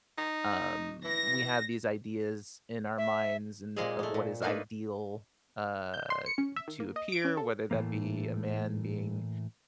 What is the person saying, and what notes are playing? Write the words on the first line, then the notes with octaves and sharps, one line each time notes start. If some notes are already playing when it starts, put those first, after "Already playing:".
Um, we have these ideas in our minds and of what is ideal, uh, to appear, whether that be a man being
D#4
E3 A#6
E5
A#2 G#3 A#3 C4 G4 G#4
G#3 A3
A#2
A3 A#3 D4 D#4 B4
G6
C6
C#7
C#4
E5
D#3
A#3
D#5
D7
C#4
A4
A2 E3 A3 A#3